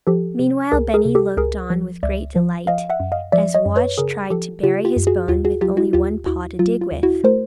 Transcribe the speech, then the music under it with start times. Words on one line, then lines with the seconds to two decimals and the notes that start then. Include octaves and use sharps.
Meanwhile Benny looked on with great delight as Watch tried to bury his bone with only one paw to dig with.
0.07 F3 G4 A4
0.39 C3
0.72 C#2 G#4 A#4
0.94 G#4 A#4
1.05 C3
1.15 G4 A4
1.37 C#2 G#4 A#4
1.70 F3
2.03 C#2 D5 E5
2.36 F3
2.67 F3 D#5 F5
2.90 E5 F#5
3.00 F#2
3.12 D#5 F5
3.32 F3 D5 E5
3.55 C#5 D#5
3.65 F#2
3.76 B4 C#5
3.98 C#3 G#4 A#4
4.30 F3 G4 A4
4.63 C#3 F4 G4
4.85 F4 G4
4.96 F#2
5.07 F#4 G#4
5.28 D#2 F4 G4
5.45 F#4 G#4
5.61 F#3 F4 G4
5.77 E4 F#4
5.93 D#2 F4 G4
6.26 D#2 E4 F#4
6.59 F#3 F4
6.81 F4
6.91 D#2
7.03 E4 F#4
7.24 A3 A#4 C5